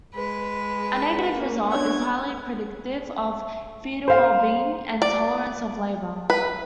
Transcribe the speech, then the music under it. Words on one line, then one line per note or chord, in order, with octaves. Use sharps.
A negative result is highly predictive of fetal wellbeing and tolerance of labor.
G#3 B4
A#3 C#4
B3 D4 C#5 F#5 G#6
C5 F5
D5
B4